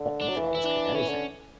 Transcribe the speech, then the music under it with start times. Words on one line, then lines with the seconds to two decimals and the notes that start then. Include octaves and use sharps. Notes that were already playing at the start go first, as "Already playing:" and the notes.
you can al almost cook anything,
Already playing: D3
0.21 D4
0.29 F#3
0.36 E3
0.55 E4
0.65 D4
0.95 E3 C#4
1.09 D3